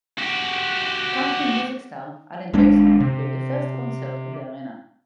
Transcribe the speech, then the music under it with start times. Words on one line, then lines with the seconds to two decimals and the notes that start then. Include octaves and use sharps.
Country music star Alan Jackson gave the first concert at the arena.
0.18 F#4 G4
2.53 G#1 G#2 G#3 D4
3.00 C3